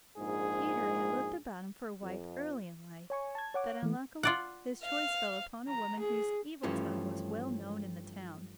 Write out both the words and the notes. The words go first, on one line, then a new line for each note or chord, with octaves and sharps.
Peter had looked about him for a wife early in life, but unluckily his choice fell upon a woman whose evil tongue was well known in the town.
A#1 G#2 G#4
F2
C#5 G#5 C#6
A5 G#6
C#5 F#5 D6
E3 A3
F4 D5 F#5
F5
A#5
G#4
G2 E3 F3 A3 C#4